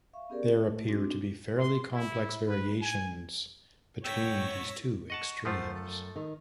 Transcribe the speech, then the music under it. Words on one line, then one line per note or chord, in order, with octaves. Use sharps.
There appear to be fairly complex variations between these two extremes.
E5 F5 C#6
B3 C#4 G4 G#4 A#4 D5
A3
C4 D4 D#4 F#4
C6
E4
B4
G#5
G#2 B3 C#5 G5 E6 A#6 B6
D#5 F#5 A5 C#6
F#2 F3 A3 F4 C5 F#5
A4
D#3